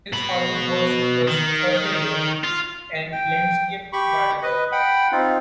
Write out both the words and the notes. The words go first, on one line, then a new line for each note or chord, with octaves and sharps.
His father was a surveyor and landscape gardener.
B2 B5
D#3
F4
G5
G4 B5 C#6
B4 D#5
F#5 G5 B5
C4 D#4 F4